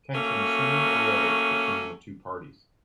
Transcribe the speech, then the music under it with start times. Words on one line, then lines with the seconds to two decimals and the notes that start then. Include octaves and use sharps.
Tensions soon arose between the two parties.
0.13 F#3 A3 A#3 C#4